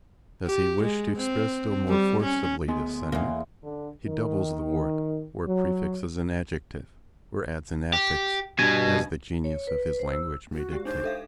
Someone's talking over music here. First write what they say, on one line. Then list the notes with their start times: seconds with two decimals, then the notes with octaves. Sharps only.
Does he wish to express still more forcibly this sentiment, he doubles the word, or prefixes an adjective, or adds an affix, as the genius of his language may dictate.
0.46 G4
0.83 G#3
1.18 C4
1.89 G3
2.24 C#4
2.68 D2 G#3 B3
3.12 E2 A#3
3.63 D3
4.05 D#3
5.46 F#3
7.93 G4
8.59 G2 B2 G#5
9.44 C#5
9.67 B4
9.82 B4
9.99 C5
10.12 E6
10.54 F#4
10.72 G#3 G4
10.85 D4 D#4 G4 C5
11.04 A4 E5 F5